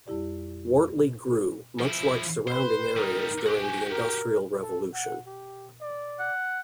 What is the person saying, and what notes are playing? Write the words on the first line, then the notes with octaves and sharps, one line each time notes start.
Wortley grew, much like surrounding areas during the industrial revolution.
F2 G3 E4 G4 D5
F3 E4
B4 C5 C6
G3 D#4 A#4
F#4 G4
G#5
A#4
A4
F#5
G4
D5
F#5